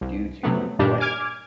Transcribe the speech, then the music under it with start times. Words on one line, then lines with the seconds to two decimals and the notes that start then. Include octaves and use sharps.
due to blank."
0.01 C2
0.43 C3 F#3 A3 B3
0.79 G2 A#2 D#3 G3 D4 G4
1.00 G#5 D6 F6 G#6